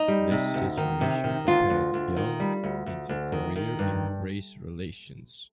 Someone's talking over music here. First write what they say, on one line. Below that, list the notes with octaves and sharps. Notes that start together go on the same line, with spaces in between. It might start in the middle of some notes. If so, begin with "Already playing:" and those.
This situation propelled Young into a career in race relations.
Already playing: D#4
G3
C3
D2
D#3
C3
D#3
D2 F4
D2
D2
D#3
G3
D2
D2
D2
D#3
D#3
G2